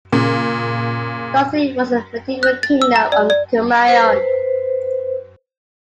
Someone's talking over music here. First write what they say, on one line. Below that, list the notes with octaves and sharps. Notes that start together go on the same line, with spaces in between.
Doti was a medieval kingdom of Kumaon.
A#2 C#3
F#6
A6
E6
A#5
D5
D5
B4 C5